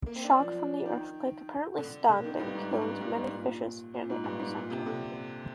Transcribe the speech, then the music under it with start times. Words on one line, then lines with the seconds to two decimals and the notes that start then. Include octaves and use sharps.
Shock from the earthquake apparently stunned and killed many fishes near the epicenter.
0.06 A#3
0.16 C4
0.24 D4
0.39 F3
0.86 D#3
1.78 D3
2.09 D3
2.24 D#3
2.39 G2
2.55 G#2
2.71 G#2
2.81 G2
2.91 G#2
3.01 G2
3.16 G#2
3.32 A#2
3.94 A#2
4.10 G#2
4.24 G2
4.40 G#2
4.55 A#2
4.70 C3
4.86 D3